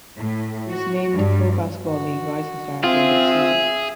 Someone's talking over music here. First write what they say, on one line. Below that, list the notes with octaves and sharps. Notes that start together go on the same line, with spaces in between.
He was named Pro Basketball League Rising Star at the end of the season.
A2
F#4
G2
F#4
C4 F4 G#4 E5